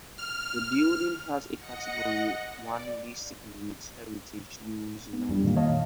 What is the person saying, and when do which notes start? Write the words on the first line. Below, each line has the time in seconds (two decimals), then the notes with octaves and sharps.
The building has a Category One listing with Heritage New Zealand.
0.18 F6
1.56 D#5 F#5 A#6 C#7
2.59 D5
5.13 B3
5.29 F2 G3 D4
5.44 A#2 D#3 A#3
5.56 C#5 D#5 F5 A5